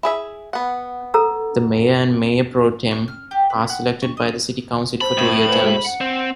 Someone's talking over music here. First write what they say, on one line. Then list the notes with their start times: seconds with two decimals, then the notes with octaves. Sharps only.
The mayor and mayor pro-tem are selected by the City Council for two-year terms.
0.03 E4 G#4 E5
0.53 B3 F#5
1.14 A4 A#5 E6
2.91 C#6
3.08 F6
3.31 G4
3.50 B4
3.70 F#5
4.02 C#6
4.17 D#5
5.01 C5 A5 B5
5.18 A2
5.49 B4 C5 F#5 G#5
5.62 G#3 F#4 A4
5.85 F#5 C#7
6.01 C4